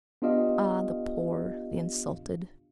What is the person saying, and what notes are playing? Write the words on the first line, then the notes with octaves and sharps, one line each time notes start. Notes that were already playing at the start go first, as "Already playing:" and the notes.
Ah, the poor, the insulted!...
B3 D4 F4 G4 D#5 F5